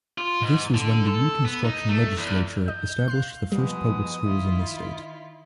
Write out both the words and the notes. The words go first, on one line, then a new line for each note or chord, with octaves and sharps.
This was when the Reconstruction legislature established the first public schools in the state.
F4
G#2
D3
A4
B3
D#4
A3
E2
D#5 G6
F5 C6 F#6 C7
B2 F3 G3 G#3 D#6
D#3 E4 F4